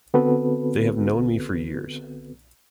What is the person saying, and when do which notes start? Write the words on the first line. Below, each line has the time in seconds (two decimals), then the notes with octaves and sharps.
They have known me for years.
0.14 D3 B3 C4 F#4 A4 B4